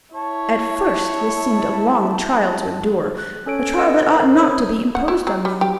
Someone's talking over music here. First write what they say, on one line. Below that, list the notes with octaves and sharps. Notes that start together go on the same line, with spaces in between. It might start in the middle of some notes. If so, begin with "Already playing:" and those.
At first, this seemed a long trial to endure, a trial that ought not to be imposed on me.
E4 C#5 A5
F#6
C#4 A4 C#5 D7
A4 B4 D#5 F#5 E6
A#4 C5
C#5 D#6
F#5
E4
F#3
G3
G4